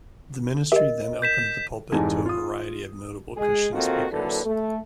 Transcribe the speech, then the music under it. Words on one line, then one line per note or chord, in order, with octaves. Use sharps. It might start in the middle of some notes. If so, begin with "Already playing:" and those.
The ministry then opened the pulpit to a variety of notable Christian speakers.
G4 A#4 D#5 E5
G6 B6 E7
F1 G#2 E3 D#4 G#5 A5
F4 D#6
G#3 G#4
D#2 D#3 C4 F4 F#4 A4
A#2 D3 F#3 E4 A4 B4
A3 A4